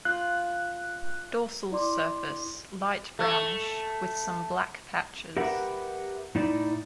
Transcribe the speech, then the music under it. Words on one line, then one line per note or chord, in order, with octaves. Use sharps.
Dorsal surface light brownish with some black patches.
F4 F#6
E4 D5 C6 D6
A3
G4 A#4 B4 E5 F#5
A2 D#4 E4 D5